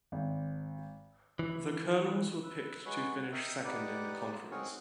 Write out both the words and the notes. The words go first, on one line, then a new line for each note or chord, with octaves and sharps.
The Colonels were picked to finish second in the conference.
G#1
E3
B4 E6
G#3 F#4 B4 C#5 F#5
A#4 D#5 E5 G5
D#4 G4 B4 D5 F#5
F4
C4 D#4 F#4 G#4 A#4 C#5